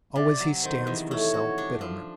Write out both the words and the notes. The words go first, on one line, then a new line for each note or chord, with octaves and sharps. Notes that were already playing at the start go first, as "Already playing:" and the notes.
Always he stands for self-betterment.
C3 D5
F#3
D#3 C5
E2
A3 C#5
F#4
D4
F3